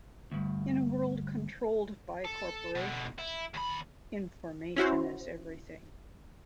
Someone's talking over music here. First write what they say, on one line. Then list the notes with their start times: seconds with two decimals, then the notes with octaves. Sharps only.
In a world controlled by corporations, information is everything.
0.31 D2 G2
2.25 A4
2.75 B2 D3
3.19 E4
3.54 D#2 B5
4.76 C#4 E4 F#4 C5